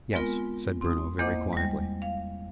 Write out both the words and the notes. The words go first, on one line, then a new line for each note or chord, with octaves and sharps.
"Yes," said Bruno, very quietly.
G#3 B3 C4 F4 A#4 G#5
C4 D#6
E2 A#3 C5 D#5 F#5 D6
G3 G#3
F5